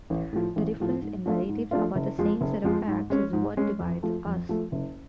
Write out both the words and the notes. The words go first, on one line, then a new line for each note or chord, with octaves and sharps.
The difference in narratives, about the same set of facts, is what divides us.
A1
A2 F3
A1
A2 F3
G#2
F3 A3 D4 F4
G#2
F3 A3 D4 F4
F#1
F2 F3 G#3
F#1
F2 F3 G#3
G#2
G#3 C#4
G#2
G#3 C#4
F2
F3 A3
F2
F3 A3
F#1